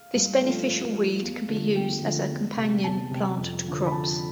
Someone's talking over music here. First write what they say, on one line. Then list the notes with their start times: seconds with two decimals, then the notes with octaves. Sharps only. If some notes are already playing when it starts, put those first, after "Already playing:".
This beneficial weed can be used as a companion plant to crops.
Already playing: F5
0.14 G2
0.41 F3 A3
0.68 G2
0.94 F3 A3
1.22 E2
1.48 D3 F3 A3
1.75 E2 G5
2.02 D3 F3 A3
2.29 E2
2.56 C3 G3
2.84 E2 A5
3.11 C3 G3
3.37 F2
3.64 D3 F3
3.86 B5
3.91 F2 A5